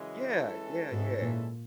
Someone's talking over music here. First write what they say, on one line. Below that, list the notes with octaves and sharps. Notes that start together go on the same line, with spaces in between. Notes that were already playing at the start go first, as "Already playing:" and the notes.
Yeah, yeah, yeah.
Already playing: F#2 C#3 E3 G#3
E3 G#3 C#4 E4 A4
G#2
A#2